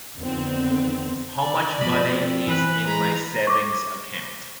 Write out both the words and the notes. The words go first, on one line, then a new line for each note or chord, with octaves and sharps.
How much money is in my savings account?
F2 D3 D#3 B3 C4
D5
F3 A3 D#5 B5
C4
E3 B4
G#3 A#5 B5
C#6 D6